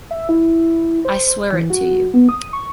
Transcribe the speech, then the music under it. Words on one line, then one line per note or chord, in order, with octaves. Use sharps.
I swear it to you.
E5
E4
C5
E3
F#4
B3
D#6
C#6